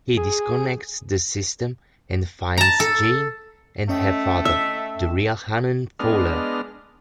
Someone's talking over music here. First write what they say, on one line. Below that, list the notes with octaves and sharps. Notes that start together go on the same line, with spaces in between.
He disconnects the system and finds Jane and her father, the real Hannon Fuller.
G#4
A5 A#5
A4
A3 C#4 D#5 G5
E5 E6
G#3 B3 D4 D#5 F6